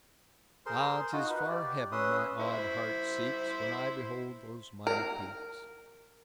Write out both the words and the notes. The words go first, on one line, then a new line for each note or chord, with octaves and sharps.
Ah, 'tis far heaven my awed heart seeks When I behold those mighty peaks.
G#4 A#4 C5 C6
D#4 F4 F#4
B4
G4 D5
C#4 B4 E5 C6 D#6
E4 C5
A#4